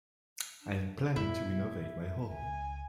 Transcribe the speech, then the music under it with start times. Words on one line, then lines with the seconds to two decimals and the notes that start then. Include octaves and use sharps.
I am planning to renovate my home.
0.61 D4
1.16 F2 B2 E4 E5
2.31 C#2 G#5